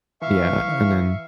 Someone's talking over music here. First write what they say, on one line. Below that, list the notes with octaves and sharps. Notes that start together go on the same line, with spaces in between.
yeah. And then
E3 E5 F5 C#6